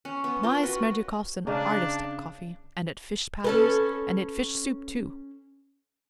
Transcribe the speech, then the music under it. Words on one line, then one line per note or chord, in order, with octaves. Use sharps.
My Smerdyakov's an artist at coffee and at fish patties, and at fish soup, too.
C#4
B3
F4 A#4 G5
F#4 A#4 B4
C#3 D4 D#4
C#4 A4 B4